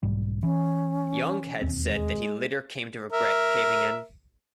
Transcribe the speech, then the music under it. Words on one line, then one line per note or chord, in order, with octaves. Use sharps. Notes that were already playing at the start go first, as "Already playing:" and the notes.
Young has said that he later came to regret caving in.
B1 G#2 G3
E3 C#4
E1 D#2 C4
G#3
A#4 E5